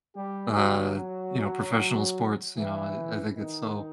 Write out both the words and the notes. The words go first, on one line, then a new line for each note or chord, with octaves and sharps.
uh, you know, professional sports, you know, I I think it's so
G3 G4
F#3 F#4
F#3 F#4
E3 E4
D#3 D#4